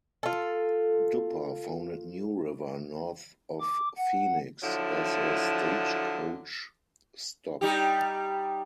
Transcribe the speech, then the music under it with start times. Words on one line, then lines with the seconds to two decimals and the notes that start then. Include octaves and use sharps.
Duppa founded New River, north of Phoenix, as a stagecoach stop.
0.23 F4 A4
3.60 D6
3.97 F#5
4.62 D3 F3 F#3 E4
7.61 G3 D#4 G4